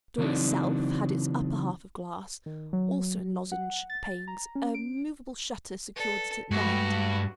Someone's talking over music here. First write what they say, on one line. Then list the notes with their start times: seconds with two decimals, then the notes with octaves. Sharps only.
The door itself had its upper half of glass, also in lozenge panes--a movable shutter secured it at night.
0.18 C#3 E3 F#3 C4 D4 D#4
2.46 D#3
2.73 F#3
3.52 F#5
3.90 A6
4.28 A#5
4.55 C#4
4.74 D7
5.96 A4 B4 D5
6.51 G2 G#3 A3 F#4